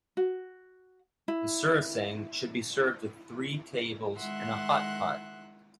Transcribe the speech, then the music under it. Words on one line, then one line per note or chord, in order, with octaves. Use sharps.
The "surasang" should be served with three tables and a hotpot.
F#4
E4
D#3 G#3 E5 F#5 C6 F#6